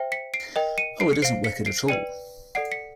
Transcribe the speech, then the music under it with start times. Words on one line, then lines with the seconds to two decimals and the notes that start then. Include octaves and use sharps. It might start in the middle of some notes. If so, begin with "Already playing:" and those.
Oh, it isn’t wicked at all.
Already playing: C5 E5 G5
0.12 B6 C#7
0.34 C7 D7
0.56 A#4 D#5 G5
0.78 C#7 D#7
1.00 C7 D7
1.13 C#7
1.22 C5 F5 C7 D7
1.44 B6 C#7
1.66 C7 D7
1.88 B4 D5 G5 C#7 D#7
2.55 A4 D5 F#5 C7 D7
2.72 B6 C#7